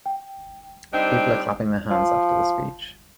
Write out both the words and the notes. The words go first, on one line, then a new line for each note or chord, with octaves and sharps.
People are clapping their hands after the speech.
G5
G3 C4 D4 D#4
F3